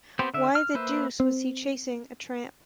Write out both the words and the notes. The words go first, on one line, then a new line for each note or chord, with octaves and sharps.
Why the deuce was he chasing a tramp?
B3 C4 G4 C5
D3 E5
F6
A#3 B4 C5 E5
C4